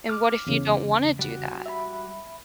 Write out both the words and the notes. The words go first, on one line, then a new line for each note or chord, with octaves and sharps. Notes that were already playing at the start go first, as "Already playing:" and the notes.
and what if you don't wanna do that?
D6 F6
E2 C#3
G3 F#4
E5 B5